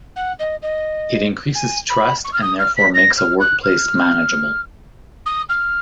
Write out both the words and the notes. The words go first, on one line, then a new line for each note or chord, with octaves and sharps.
It increases trust and therefore makes a workplace manageable.
F#5
D#5
D#5
G#5
B5
C#6
F6
D#6
F6
B6
A#6
F6
F#6
F6
D#6
F6